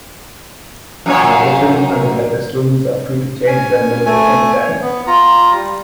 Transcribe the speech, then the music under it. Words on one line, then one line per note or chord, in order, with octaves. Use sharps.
In addition, undergraduate students are free to change their major anytime.
F#2 A#2 C#5
C#4 G#5
A3 G#5
C#5
B3
F4 A#5
G3